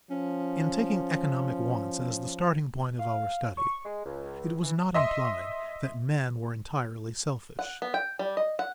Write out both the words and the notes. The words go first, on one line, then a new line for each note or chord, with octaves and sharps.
In taking economic wants as the starting point of our study, it was not implied that men were entirely selfish.
F3 C#4
F5
C#6
G#3
C#2
E3
D#5 E5 C6
F#5
B3
G5
G3
D#5
F#5